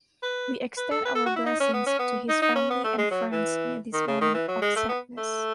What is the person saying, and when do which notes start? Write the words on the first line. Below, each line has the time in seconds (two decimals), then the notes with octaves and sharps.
We extend our blessings to his family and friends in this moment of sadness.
0.23 B4
0.77 B4
0.91 A4
1.05 B4
1.15 A4
1.26 F#4
1.36 E4
1.46 D#4
1.60 C#4
1.74 B3
1.86 C#4
1.99 B3
2.29 D#4
2.42 D#4
2.56 C#4
2.70 B3
2.84 A3
2.98 G#3
3.11 F#3
3.32 E3
3.93 D#3
4.07 C#3
4.21 D#3
4.34 E3
4.48 F#3
4.62 G#3
4.76 A3
4.89 B3
5.17 A3